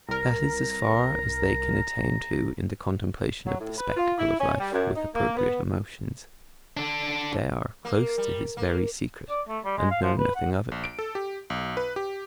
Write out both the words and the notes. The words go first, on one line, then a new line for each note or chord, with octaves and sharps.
That is as far as they can attain to in 'the contemplation of the spectacle of life with appropriate emotions.' They are close to his very secret and know nothing of it.
C2 A#4 A#5
F#3
A2
B4
F4
E4
C#4
G3
F#2
D#4
A#3
B3
D4 A4
A#3
G3
A#3
D5
A3
G3
G#3
F5
F3
B4
F#5
A#1
D7
A4
G4
B1
B4
G4